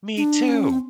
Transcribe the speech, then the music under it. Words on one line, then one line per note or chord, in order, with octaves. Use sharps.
Me too.
D4
C#4
C4